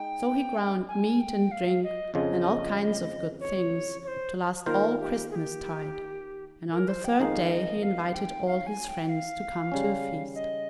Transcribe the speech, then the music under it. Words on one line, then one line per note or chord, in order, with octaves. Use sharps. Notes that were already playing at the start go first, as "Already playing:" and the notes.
So he ground meat and drink, and all kinds of good things, to last all Christmas-tide, and on the third day he invited all his friends to come to a feast.
Already playing: G#3 D#4 G5
G#5
G5
F5
D#5
F2 C#3 F3 C4 D#5
C#5
C#5
C5
D#3 A#3 F4 A#4 C5
G4
G#4
G4
A#4
C5
G5
F2 D#3 G#3 D#4 F5
D#5
F5
G5
F5
G#5
G5
F5
C#3 G3 C#4
D#5